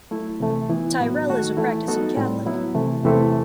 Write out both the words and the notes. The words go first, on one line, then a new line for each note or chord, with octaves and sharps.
Tyrrell is a practicing Catholic.
F#3 A3 E4
C3 E3 A3
E3 B3 E4
A2 F#3 B3 F#4
D#3 A3 D#4 F#4 A4
E3 A3 E4
F#3 B3 D#4 F#4 A4
A2 G3 C4
F#3 B3 E4
C3 E3 A3
E2 C3 E3 A3 C4